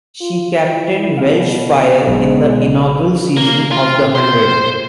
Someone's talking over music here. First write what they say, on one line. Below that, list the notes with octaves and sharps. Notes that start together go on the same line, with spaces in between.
She captained Welsh Fire in the inaugural season of The Hundred.
F4
E4
B2 F5
B1 G#3
A#3
F4
C5